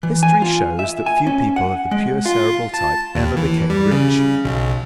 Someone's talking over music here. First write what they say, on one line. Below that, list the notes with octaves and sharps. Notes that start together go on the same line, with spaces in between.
History shows that few people of the pure Cerebral type ever became rich.
E3
G#5
F4
E5
G#5
C#4
F#5
G#3
F4
A5
D#2
E3
G3
C#3
B1